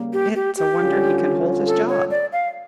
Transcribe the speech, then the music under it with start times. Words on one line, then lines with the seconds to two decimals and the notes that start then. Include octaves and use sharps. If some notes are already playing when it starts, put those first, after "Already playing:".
"It's a wonder he can hold his job."
Already playing: C#3 G3 A#3
0.13 G4
0.35 G4
0.57 G4
0.79 D3 G3 C#4 F4
1.67 A4
1.89 C#5
2.11 D5
2.33 F5